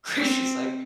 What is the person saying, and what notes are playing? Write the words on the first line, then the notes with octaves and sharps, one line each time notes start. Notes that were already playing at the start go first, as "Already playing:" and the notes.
Where she's, like
C4